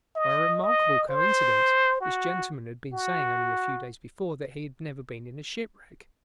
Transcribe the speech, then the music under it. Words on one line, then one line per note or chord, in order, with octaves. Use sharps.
By a remarkable coincidence this gentleman had been saying only a few days before that he had never been in a shipwreck.
D#5
D#5
C5
F#4
F#4